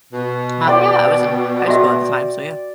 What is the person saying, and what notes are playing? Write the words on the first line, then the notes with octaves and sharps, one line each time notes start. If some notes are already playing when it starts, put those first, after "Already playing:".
Oh yeah, I was in high school at the time so, yeah.
B2
D5 G5
F#4 E5